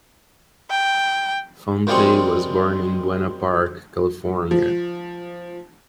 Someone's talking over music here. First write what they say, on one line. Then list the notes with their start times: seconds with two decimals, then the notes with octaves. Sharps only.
Fonte was born in Buena Park, California.
0.70 G5
1.87 F#2 F3 G3 G#3 C4 C#6
4.51 F3